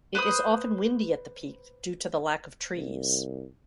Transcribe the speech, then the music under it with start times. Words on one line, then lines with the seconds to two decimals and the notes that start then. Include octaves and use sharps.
It is often windy at the peak, due to the lack of trees.
0.15 B4 C5 B5 D#6
2.76 C2